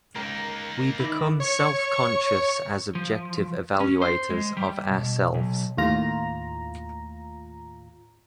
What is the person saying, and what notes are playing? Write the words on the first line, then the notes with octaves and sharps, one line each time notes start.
We become self-conscious as objective evaluators of ourselves.
C#2 A#3 D#4 A#4
D#3 E4 D5
C#5 C#6 C#7
F3
C#4
C5
G#3
G3
B2
B1
D#2 A2 F4 A#5